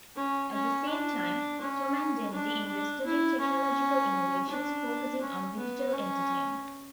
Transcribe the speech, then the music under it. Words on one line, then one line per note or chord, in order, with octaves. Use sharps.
At the same time, Tomandandy invested in technological innovations focusing on digital entertainment.
C#4
C#4
D4
C#4
D4
D4
E4
C#4
D4
C#4
B3
C#4